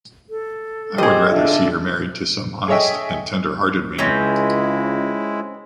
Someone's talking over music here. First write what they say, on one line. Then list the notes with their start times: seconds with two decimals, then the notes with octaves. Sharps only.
I would rather see her married to some honest and tender-hearted man.
0.30 A4
0.98 G4 G#4 C5 D#5
1.31 D3 F4 E5
2.68 G#4 A4 C#5 D#5 E5 G5
3.99 C#2 G#3 C4 C#4 E4